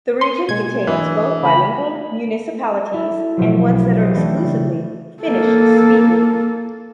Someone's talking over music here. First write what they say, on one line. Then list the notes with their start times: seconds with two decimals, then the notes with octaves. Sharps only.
The region contains both bilingual municipalities and ones that are exclusively Finnish-speaking.
0.21 C6
0.49 B2 G#3 A#3 G#6
0.87 E3 D4 D#5 E5
1.43 C#3 A3 G5 B5
2.94 E4 A4 E5
3.37 B2 F3 F#3
3.69 B1
3.99 G4 C5 D#5
4.14 E3 A3 C#4 D4
4.43 C#3
5.23 A#3 A4